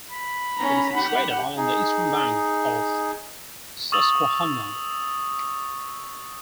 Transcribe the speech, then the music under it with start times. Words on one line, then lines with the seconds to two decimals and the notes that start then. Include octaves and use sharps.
It is situated along the eastern bank of the Susquehanna.
0.11 B5
0.58 C#4 A#5
0.94 G4 F#5
1.56 D#4 G#4
3.92 C#6 D#6 E6 A6 F7 F#7